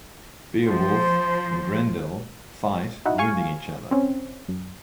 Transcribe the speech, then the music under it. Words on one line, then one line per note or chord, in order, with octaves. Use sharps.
Beowulf and Grendel fight, wounding each other.
F3 C5
D#4 E4 F#4
F5 G#5 C#6
C4 C#4
F#2